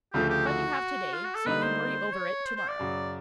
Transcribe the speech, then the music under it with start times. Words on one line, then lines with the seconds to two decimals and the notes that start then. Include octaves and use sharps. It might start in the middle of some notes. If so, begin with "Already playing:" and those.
Fun you have to-day so you can worry over it to-morrow.
0.13 D2 C#3 F3 A3 G4
0.30 G4
0.47 F#4
1.14 F4
1.25 F#4
1.35 A4
1.46 D3 G3 A#3 D#4 B4
1.63 C5
2.13 C#5
2.46 C5
2.57 C5
2.68 D5
2.79 F#2 C#3 F#3